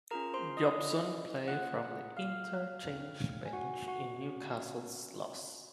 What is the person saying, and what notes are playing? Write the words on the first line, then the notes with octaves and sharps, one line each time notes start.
Jobson played from the interchange bench in Newcastle's loss.
C#4 F4 G#4 A#4 A#5
C5 C6
D#5 D#6
A#3 F4 G#4 F#5 F#6
F5 F6
C4 D#4 F#4
G#5
F#4 F#5
F#4 F#5
C#4 F#4